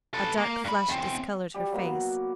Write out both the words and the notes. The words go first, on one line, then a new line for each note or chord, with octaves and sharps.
A dark flush discolored her face.
A4 B4
A#3
G2 B5
E2 C4
G3 G4
F#3 A#3 B3